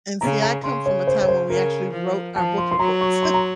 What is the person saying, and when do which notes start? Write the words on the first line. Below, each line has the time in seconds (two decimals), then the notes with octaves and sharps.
And see, I come from a time when we actually wrote our book reports,
0.21 C#3 A#5
0.42 A#5
0.64 C#3 C6
0.86 C#5
1.07 C5
1.21 C#5
1.28 C5
1.50 C#3 A#4
1.93 F3
2.36 F3 A5
2.58 C6
2.71 C6
2.79 F#3 A#5
3.01 C#6
3.23 C6
3.34 A#5